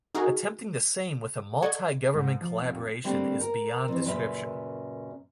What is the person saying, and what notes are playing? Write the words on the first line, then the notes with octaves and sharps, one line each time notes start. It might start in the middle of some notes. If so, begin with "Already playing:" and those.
Attempting the same with a multigovernment collaboration is beyond description.
D#4 F#4 G#4 A#4
A4 D5 D#5 F#5 C#6 G#6
G#2
F3
F1
D3 G3 A3 A#3 C4
A#4
F2 E3
F#2 A#2 C#3 B4 E5